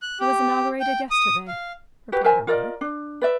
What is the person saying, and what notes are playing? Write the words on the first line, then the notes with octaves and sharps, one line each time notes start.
"He was inaugurated yesterday," replied her mother.
F#6
G4
G5
D#6
F5
F#4 G4 B4
A#4 C5 E5 G#5
F4 A#4 D5 D#5
D4
B4 D5 E5